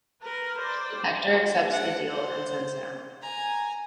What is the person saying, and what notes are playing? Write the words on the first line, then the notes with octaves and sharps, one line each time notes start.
Hector accepts the deal and sends him out.
A#4 B4
C5 D5
D4 F#5
C5
G#5 A#5